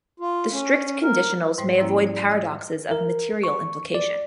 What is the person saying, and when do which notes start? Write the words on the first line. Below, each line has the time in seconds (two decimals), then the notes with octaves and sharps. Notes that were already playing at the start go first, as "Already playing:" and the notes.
The strict conditionals may avoid paradoxes of material implication.
0.20 F4
0.52 C#4
1.02 A#4
1.58 G#2 G3 C5
1.79 G#2 F3 G3 A#3 C#4 E4
2.07 D5
2.28 D5 D#5 E6
2.91 A#4
3.43 C#6
3.95 D5